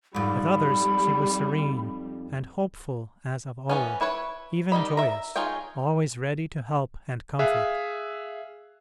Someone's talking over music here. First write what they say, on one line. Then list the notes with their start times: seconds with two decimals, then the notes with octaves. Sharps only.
With others she was serene and hopeful as of old, even joyous, always ready to help and comfort.
0.15 F2 G#2 G3 B5
3.69 E3 B3 C#4
4.01 E4 B4 C#5
4.72 D#3 G3 D#5 B5
4.97 E5 A#5
5.36 D#4 F4 G#4 C#5 G5
7.39 G#4 E5 F5 F#6